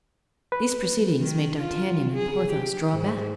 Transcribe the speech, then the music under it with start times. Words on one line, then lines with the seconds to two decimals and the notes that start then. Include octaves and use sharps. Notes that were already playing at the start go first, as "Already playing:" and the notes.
These proceedings made D'Artagnan and Porthos draw back.
0.52 B4
1.20 D#3
1.61 F4
2.13 G#4
2.52 G4
2.91 G#2